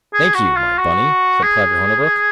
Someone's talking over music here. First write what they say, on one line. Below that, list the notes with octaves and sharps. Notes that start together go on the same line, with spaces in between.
"Thank you, my bunny," said Private Hornabrook.
G#4
F#4
F4
F#4
G#4